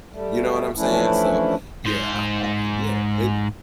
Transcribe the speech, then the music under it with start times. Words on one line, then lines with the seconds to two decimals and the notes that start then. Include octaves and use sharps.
You know what I'm saying? So, yeah, I I yeah, it
0.12 G3 A3
0.76 E3 F3 A3 C#4 D4 E4
1.85 G#2 C5